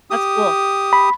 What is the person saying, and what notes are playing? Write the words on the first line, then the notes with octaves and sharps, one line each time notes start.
That's cool.
G4 D#6
B5